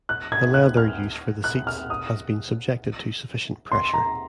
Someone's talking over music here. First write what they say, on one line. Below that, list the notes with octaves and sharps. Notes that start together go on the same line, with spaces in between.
The leather used for the seats has been subjected to sufficient pressure.
F#6
G#6
F#6
F6
F#6
F6
D#6
C6
A#5